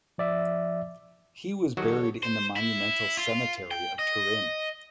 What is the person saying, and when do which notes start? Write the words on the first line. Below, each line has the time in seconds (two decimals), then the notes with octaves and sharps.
He was buried in the monumental cemetery of Turin.
0.18 F3 D5 E5
1.77 D#3 F#3 F#4 G4 A4 C#5
2.23 C5
2.56 E4
3.17 F4
3.71 G5
3.99 D#5